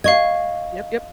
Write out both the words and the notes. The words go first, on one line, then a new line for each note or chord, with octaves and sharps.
Yep, yep.
D#5 F5 C#6 G#6